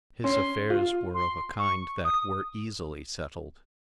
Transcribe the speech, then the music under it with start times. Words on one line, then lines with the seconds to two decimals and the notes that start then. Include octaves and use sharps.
His affairs were of a kind that were easily settled.
0.24 C#4 C6
0.70 F4
1.14 C6
1.59 C#6
2.05 D#6